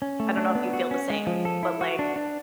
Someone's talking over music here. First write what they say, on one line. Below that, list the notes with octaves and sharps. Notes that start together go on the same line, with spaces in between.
I don't know if you feel the same, but, like,
C#4
A3
D4
B3
F#4
C#4
G#3
F3
A4
E4
F#4
D4
D4